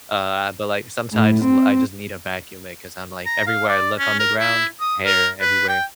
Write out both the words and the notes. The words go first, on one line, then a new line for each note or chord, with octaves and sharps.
uh but, like, sometimes I just I just need to vacuum it 'cause I'm, like, everywhere I look on the ground, hair everywhere,
A2
C4
A#5
F5
D5
C#4
A#4
E4
D#6
A#4
B4
G5